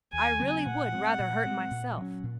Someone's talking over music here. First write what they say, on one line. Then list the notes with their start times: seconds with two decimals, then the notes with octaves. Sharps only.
I really would rather hurt myself.
0.13 D#2 G#5
0.40 C#3 F#3 C4
0.66 A#2 F#5
0.92 G#3 C4
1.19 A#2
1.45 G#3 C4
1.71 A#2
1.97 F#3 C#4
2.23 A#2